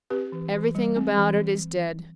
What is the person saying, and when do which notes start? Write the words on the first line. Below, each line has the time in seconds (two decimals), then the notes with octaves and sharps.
Everything about it is dead.
0.10 C4 G4 B4
0.32 E3
0.53 E3
0.75 G3
0.96 C4
1.17 E3